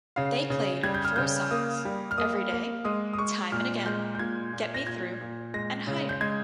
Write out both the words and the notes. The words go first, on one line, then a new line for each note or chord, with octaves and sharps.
They played four songs: "Everyday", "Time and Again", "Get Me Through", and "Higher".
C#3 F5
C#3
G3 G#6
G6
F6
C#3 G6
A#3 D#6
G3
F6
A#3 D#6
A#3
G#3 D#6
D#6
G#3 C#6
A#2 F6
G#3 G6
G6
A#2 G#6
A#2
A#6
A#2 G#6
A#2
G#3 A#6
C#3
G6
G#3 G#6